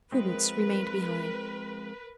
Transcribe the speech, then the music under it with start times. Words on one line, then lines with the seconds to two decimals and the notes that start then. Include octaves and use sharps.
Prudence remained behind.
0.12 F3 G#3 C4 A#4 B4